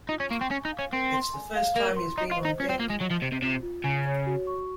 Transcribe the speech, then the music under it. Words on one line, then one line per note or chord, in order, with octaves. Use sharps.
It's the first time he's been on deck.
D#4 F4
C#4
A#3 C#6
C4
C#4 G#5
D#4
F5
C#4
C4 A#4
C6
G#5
F5
A#3 A#4
C6
D#4 D#5
F4
C5
D#4
C#4 F4
C4
A#3 F4
G#3
F#3 D#5
F3
C3 C5
C3
C3 F4
F4
C#3 G#5
C#5
F#4
C#6